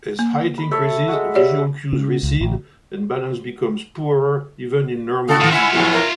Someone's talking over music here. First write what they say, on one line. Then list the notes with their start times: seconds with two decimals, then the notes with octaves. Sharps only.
As height increases, visual cues recede and balance becomes poorer even in normal people.
0.19 A#3
0.58 B5
0.71 A3 C#5 E5
1.08 G#3 F#4
1.35 G4 C#5 D5
1.93 C#3
2.23 C#2
2.41 A1
5.29 C#3 F#4 A4 D#6
5.41 A2 D#3 F4
5.53 E4 F4 E5 F#5 G#5
5.74 E2 A2 F3 E4
5.93 A#4